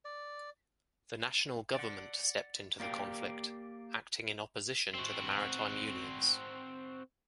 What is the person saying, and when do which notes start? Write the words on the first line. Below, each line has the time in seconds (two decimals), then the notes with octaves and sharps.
The National government stepped into the conflict, acting in opposition to the maritime unions.
0.05 D5
1.75 D5 F#5
2.80 A#3 G4 D5 F5 G5
4.95 C4 F#4